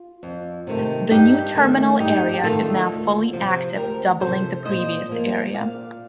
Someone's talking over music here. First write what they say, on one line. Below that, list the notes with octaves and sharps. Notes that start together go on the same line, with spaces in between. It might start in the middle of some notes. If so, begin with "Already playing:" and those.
The new terminal area is now fully active, doubling the previous area.
Already playing: F4
F2
C3 D#3 A3
G2 D#4 G4
D#3 A3
G2 D#4 G4
G4
D#3 A3 F4 A4
D2
C3 F3
D2 G4 A#4
C3 F3 A4 C5
A#2 C5 D#5
F3 A#3
A#2 D5 F5